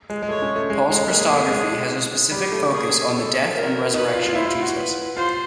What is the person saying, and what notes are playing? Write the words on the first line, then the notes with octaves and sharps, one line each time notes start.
Paul's Christology has a specific focus on the death and resurrection of Jesus.
G#3
G#3
A3 C#5
C#4
A3
G#3
G#3
A#3 G#4
A3
G#3
G3 G4
A3
A#3 G#4
A4
A#4
D#4 B4
F4
F4
E4 C5
F4
F#4
B4
F4 C5